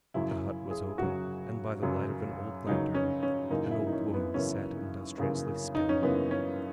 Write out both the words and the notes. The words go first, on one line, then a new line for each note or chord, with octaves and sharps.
The hut was open, and by the light of an old lantern an old woman sat industriously spinning.
F#2 C#3 F#3 E4
G#4
F#2 C#3 F#3 F#4
F#2 C#3 F#3
F#2 C#3 F#3 D#4
C#4
C#4
F#2 C#3 E3 A#3 D#4
E4
D#4
C#4
B3
F#2 C#3 E3 A#3 C#4
F#2 C#3 E3 A#3
D#4
C#4
F#2 C#3 E3 A#3 B3
C#4